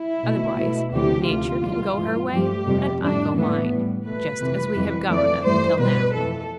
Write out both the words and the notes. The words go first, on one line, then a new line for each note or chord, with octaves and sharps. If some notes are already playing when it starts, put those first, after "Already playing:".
Otherwise, Nature can go her way and I go mine, just as we have gone up till now.
Already playing: E4
B2 A3
B2 A3
D2 C3 E3 A3 G4
D2 C3 F3 A3 F4
E2 B2 G3
G2 E3 A3
G2 F3 A3 G4
F2 C3 G3
A2 G3 D4
A2 E3 A3 B3
A2 G3
B2 A3 B4
F2 C3 E3 A3
F2 E3 G3
F2 E3 A3 D5
G2 E3 A3 C5
B2 G3 B4
F2 E3 A3 A4